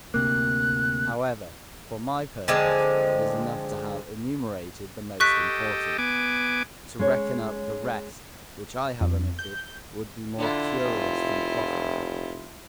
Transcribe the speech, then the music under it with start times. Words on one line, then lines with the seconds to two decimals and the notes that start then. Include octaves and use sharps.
However, for my purpose, it is enough to have enumerated the most important; to reckon up the rest which I have omitted would be more curious than profitable.
0.14 D2 C3 A#3 F#6
2.48 D3 F3 G#3 C4
5.20 G4 A4 D#5 C#6 F#6 B6
5.98 B3 G#5 D6
6.99 G#3 C#4 C#5
9.01 F2
9.39 G6
10.38 D3 E4 F4
10.81 F1